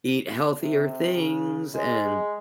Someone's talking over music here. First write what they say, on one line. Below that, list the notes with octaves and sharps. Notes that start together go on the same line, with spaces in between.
eat healthier things, and,
C3
C#3
G#3